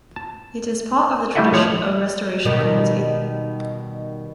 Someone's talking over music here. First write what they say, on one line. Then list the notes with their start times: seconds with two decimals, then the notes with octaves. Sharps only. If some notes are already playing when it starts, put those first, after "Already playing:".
It is part of the tradition of Restoration Comedy.
0.16 A5
1.35 G3 A3 E4 D#5 E5 F#5
1.54 F3 C#5
2.45 B2 D#3 G3